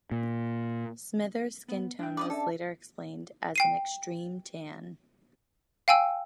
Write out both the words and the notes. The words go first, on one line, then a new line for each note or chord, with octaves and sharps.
Smithers' skin tone was later explained as an "extreme tan".
A#2
B3
D4 G5
C#4 B4 D5 D#5 D6
A4 D5 E5
G5 C7 D#7
F5 G5 G#5 E6